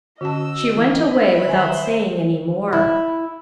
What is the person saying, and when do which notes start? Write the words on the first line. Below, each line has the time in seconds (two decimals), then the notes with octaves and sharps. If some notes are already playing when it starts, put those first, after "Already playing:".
She went away without saying any more.
0.21 D3 C#4 F#4 D#5 A5 E6
0.76 E3
1.09 B4 E5 B5
1.47 D#3 B4 C5 G#5
2.73 E4